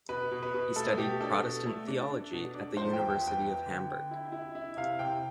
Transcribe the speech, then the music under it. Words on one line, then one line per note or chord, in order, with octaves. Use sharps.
He studied Protestant theology at the University of Hamburg.
B2 B4
B2
B4
B2
A3 A4
B2 G4
D4 A4
B2
A3
D4
D4
B2
D4
F3 C5
G5
E2
G5
B3
G5
B3
D3
D3
E4
E4
E4
C3 F5
C3 G5